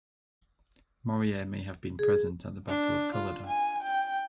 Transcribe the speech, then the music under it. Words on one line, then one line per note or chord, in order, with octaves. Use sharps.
Morier may have been present at the Battle of Culloden.
G#4
D4
F4
G#5
G5